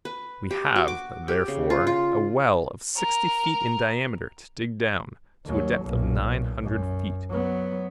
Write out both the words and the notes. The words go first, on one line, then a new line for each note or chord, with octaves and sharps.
We have, therefore, a well of sixty feet in diameter to dig down to a depth of nine hundred feet.
B4
G4
F#4
D6
G4
C#3
F4
F4
A#4
D#2 F#3
B1 A#2
F#2
F#3 B3